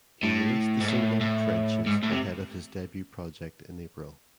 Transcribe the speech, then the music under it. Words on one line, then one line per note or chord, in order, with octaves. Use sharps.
He released the single "Trenches" ahead of his debut project in April.
A2
G#2
A2
A2
G#2
A2
C3